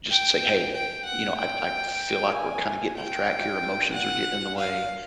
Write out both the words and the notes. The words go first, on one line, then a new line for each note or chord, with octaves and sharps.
just say, "Hey, you know, I I feel like we're kinda getting off track here, emotions are getting in the way,
G5
G5
F#5
G5
G#5
G5
F#5
F5